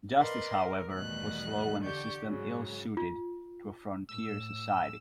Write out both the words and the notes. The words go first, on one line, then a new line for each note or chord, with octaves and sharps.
Justice, however, was slow and the system ill-suited to a frontier society.
A#4 B4 D5 D#5 C6
A#4
E2 B2 D#3 G3 A3 F#6
D3 G4 D5 C#6 G6
G#2 C#3 F#3
F4
A2 E6